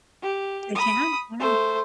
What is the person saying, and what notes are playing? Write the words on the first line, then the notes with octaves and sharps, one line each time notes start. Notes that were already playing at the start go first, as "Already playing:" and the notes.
They can, yeah.
G4
B5 D#6
A3 C5